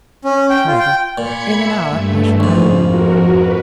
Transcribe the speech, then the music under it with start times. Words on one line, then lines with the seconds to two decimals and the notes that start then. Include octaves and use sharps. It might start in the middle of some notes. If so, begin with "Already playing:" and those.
However, in an hour I shall know all.
0.25 C#4
0.50 G5
0.67 F4
0.80 G5
1.18 A#2 B5 G#6 C#7
1.54 E5
1.88 G2 A3
2.40 A#1 F2 G#2 F3
2.82 F2 F#4 A#4
3.27 B4